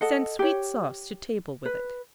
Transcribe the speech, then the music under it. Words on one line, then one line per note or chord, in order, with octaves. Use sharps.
Send sweet sauce to table with it.
A4 D#5 F#5
G4 C#5
B4